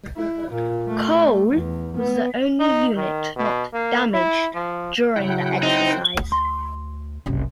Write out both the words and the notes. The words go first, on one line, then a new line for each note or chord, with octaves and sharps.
"Cole" was the only unit not 'damaged' during the exercise.
E4
A#2
A3
E2
B3
D#4
D#3
B2
A#3
E4
F3
C#3 F#3 E4 F#5 G5
C4 D#4
D2
C6
F#1 C2